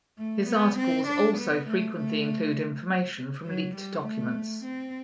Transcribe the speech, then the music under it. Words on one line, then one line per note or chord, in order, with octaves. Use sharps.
His articles also frequently include information from leaked documents.
A3
B3
C4
D4
B3
A3
A3
F#3
G3
A3
C4